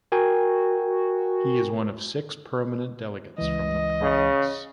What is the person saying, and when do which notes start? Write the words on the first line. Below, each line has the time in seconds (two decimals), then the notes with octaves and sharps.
He is one of six permanent delegates from the province.
0.12 F#4 A#4 G5 G#5
3.38 C#2 E3 D#5
4.02 C#3